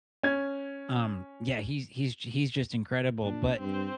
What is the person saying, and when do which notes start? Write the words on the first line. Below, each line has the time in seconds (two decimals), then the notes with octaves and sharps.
Um, yeah, he's he's he's just incredible, but
0.23 C#4 G#6
3.24 A#2 D4
3.59 G2 C4 C5